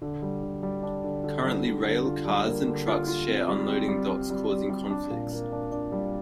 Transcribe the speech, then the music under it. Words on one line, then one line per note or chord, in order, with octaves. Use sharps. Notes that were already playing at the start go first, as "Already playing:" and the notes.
Currently, rail cars and trucks share unloading docks, causing conflicts.
D3
G3
D3
G3
D4
D3
D3
G3
D3
D3
F4
G3
A#3
D3
F4
F4
C4
G3
C4
G3
G3
G3
G3
G3
D4
A#2
A#3
D4
D4
G3